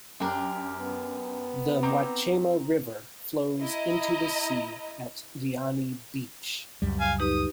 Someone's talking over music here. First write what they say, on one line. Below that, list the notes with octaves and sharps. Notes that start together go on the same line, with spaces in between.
The Mwachema River flows into the sea at Diani Beach.
F#2 D4 G4 A#4
B3
C4 D#4 A#5 D6
E4 D#5 A#5
C#2 F#2 G3
F5 G#5
D#4 G4 B4 D#6